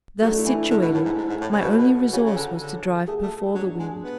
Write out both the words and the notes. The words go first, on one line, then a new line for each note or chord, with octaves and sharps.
Thus situated, my only resource was to drive before the wind.
F#3 A3
D4
E4
E3
E4
D3 E4
B2
A2
G#2
G#2
G#2
A2
C#3
B2
A2 F#4
B2
C#3 F#4
C#3
D3
D3
A3 G#4
A3
F#3 D4
G#3
B3